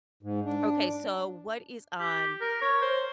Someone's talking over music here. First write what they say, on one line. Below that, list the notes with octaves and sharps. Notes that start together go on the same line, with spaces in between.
Okay, so what is on
G#2
D4
G4
A#4
C#5
C5